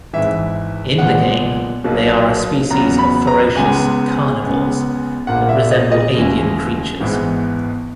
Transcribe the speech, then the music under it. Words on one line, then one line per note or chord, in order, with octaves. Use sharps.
In the game, they are a species of ferocious carnivores that resemble avian creatures.
G#1 G#2 E3 E5
B1 A#2 G#3 B3 F#5
B1 B2 F#3 A#3
E2 C#3 F#3 B3 A#5
B5
A#5
C#2 C#3 G#3 B3 G#5
C#2 C#3 G#3 B3
A#1 A#2 A#3 F#5
E5
D#5
D#5
D#2 C#3 E3 G#3
G#1 G#2 E3 B3